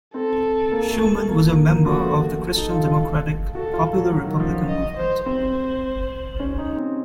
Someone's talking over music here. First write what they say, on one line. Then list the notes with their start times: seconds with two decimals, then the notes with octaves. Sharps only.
Schumann was a member of the Christian democratic Popular Republican Movement.
0.14 C4 A4
0.72 A#3
0.91 A3
1.09 A3
1.28 A#3
1.47 A#3
1.66 A#3
1.85 F3 F#4
2.03 A3
2.42 A4
2.56 D#4
2.70 F4
2.84 F4
3.55 F#4 A4
3.73 F4
3.93 F#3
4.11 F#3
4.26 D#3
4.40 F3
4.54 F#3
4.68 D#5
4.97 C5
5.25 C4 C5
6.40 C#4
6.58 D#4
6.76 C4